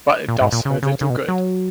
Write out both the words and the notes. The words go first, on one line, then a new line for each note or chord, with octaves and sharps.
But it does her little good.
A#2
G#2
A#2
C#3
C#3
C#3
B2
F#3